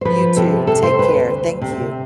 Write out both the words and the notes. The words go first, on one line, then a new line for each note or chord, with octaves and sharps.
You too. Take care. Thank you.
C5
F3 B4
C3 A4
C3 A4
C5
D2 B4
D2
C3